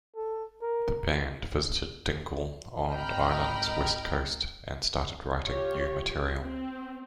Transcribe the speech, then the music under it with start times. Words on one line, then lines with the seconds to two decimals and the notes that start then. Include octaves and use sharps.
The band visited Dingle, on Ireland's west coast and started writing new material.
0.16 A4
0.62 A#4
2.90 G#1 D#5 G5 A#5 B5 F6
5.44 F4 G4 C#5
6.40 C4